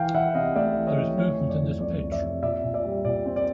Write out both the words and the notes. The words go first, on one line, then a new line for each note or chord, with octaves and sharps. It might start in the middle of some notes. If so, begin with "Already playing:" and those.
There is movement in this pitch.
Already playing: E3 F5 G5
E3 E5 F#5
C3 D#5 F5
A3 D5 E5
E3
C#5 D#5
E3
A3 C#5
F2
D5
E3
F2 D5
F2
D5 E5
C3
A#2 D5 E5
A#2
D5 E5
G3
A#2 D5
C4
D5